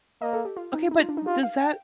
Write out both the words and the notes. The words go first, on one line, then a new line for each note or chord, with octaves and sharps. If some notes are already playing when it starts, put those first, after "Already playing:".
Okay, but does that
A#3 D#5
A4
G4
F4
D#4
D#4
F4
D4
D#4
F4 G4
F5
G5